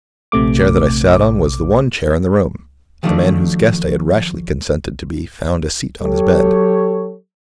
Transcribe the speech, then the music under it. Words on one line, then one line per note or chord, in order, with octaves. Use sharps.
The chair that I sat on was the one chair in the room; the man whose guest I had rashly consented to be found a seat on his bed.
A#1 C3 A3 D6
D#3 F3 F#3 A3 D4 D5
F#3 G4 A4 C#5